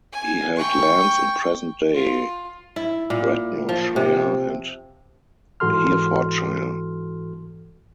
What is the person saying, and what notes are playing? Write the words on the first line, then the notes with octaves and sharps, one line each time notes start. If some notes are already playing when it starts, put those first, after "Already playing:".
He held lands in present-day Radnorshire and Herefordshire.
G#5
G5 C#6
F4
E4
A#2
F3
C3
G#2 E3 F#4 A4 C6 F6